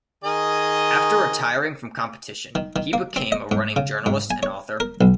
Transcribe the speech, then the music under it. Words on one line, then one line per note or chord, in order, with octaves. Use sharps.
After retiring from competition, he became a running journalist and author.
D#3 G#4 D#5
D#3
D#3
A#3
C4
D#5
G#2
C#3
G#2
G#5
C#5
A#4
B1